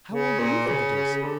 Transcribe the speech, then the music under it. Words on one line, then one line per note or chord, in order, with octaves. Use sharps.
"How old do YOU think it is?"
C#3
A#2
C#3
C#3
C#3
D3